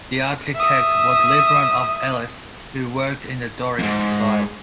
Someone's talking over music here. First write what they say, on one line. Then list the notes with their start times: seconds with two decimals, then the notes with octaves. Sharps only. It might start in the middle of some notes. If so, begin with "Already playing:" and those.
The architect was Libon of Elis, who worked in the Doric style.
0.55 E5 D#6
3.78 F2 G#2